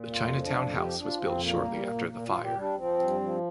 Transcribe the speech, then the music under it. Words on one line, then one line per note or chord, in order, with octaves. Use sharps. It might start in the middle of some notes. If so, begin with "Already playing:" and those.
The Chinatown House was built shortly after the fire.
Already playing: A#2
F2 F4
F3
D4
F2
F3 G4
F3 D4
F2 C4
A#2 A#3
G3
A#2
A#2 A#3
F4
A#2
G4
G3
D4
F3 C4
G2
F3